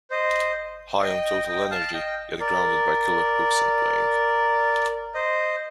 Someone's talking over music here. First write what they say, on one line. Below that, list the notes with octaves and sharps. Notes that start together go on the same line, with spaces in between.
High on total energy yet grounded by killer hooks and playing.
C5 D#5
D#5 G5
D#5 G5
F5 A5
D#5 G5
A#4 D5
C5 D#5